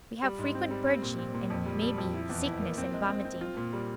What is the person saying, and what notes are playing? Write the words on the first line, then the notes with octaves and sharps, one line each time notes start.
We have frequent purging and, maybe, sickness and vomiting.
G3
G#2
C4
G3
C4
A#2
C4
A#2
F2
G3
G3
F2
E4
E2
E4
A#3
C4
G#3
C4
C4
F4
A#2
G3